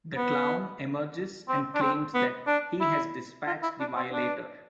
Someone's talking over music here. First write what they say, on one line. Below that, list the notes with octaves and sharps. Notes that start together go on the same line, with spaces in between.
The Clown emerges and claims that he has dispatched the Violator.
B3
C4
D4
C4
B3
D4
E4
F4
E4
D4
C4
D4